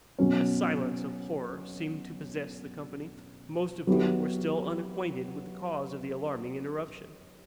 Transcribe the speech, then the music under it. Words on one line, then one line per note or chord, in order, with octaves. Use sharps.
A silence of horror seemed to possess the company, most of whom were still unacquainted with the cause of the alarming interruption.
B2 F#3 C#4
F#3 B3 E4 G4